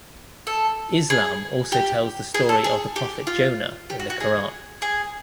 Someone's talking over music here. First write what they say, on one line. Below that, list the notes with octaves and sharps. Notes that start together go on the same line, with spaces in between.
Islam also tells the story of the Prophet Jonah in the Koran.
A4
G#4
G4
G#4
A4
G#4
G4
F4
G4
F#4
F#4
G#4
G#4